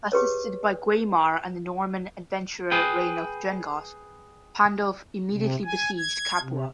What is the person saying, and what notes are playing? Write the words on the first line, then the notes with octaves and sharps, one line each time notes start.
Assisted by Guaimar and the Norman adventurer Rainulf Drengott, Pandulf immediately besieged Capua.
G4 G#4 B4 C#5
G#4 B4 G5
C3
G#5
G#6
C3